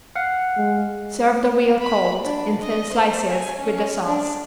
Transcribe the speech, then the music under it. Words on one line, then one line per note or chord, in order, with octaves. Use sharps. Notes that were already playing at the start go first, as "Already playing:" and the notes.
Serve the veal cold, in thin slices, with the sauce.
F5 F#5
G#3
B5
D4
D#5
C5
G#5
C#4
D4